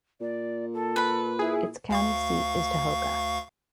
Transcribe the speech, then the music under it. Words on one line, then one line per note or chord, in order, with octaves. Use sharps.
Its county seat is Tahoka.
A#2 D5
A4
B4 B5
E4 G#4
D2 F5 C#6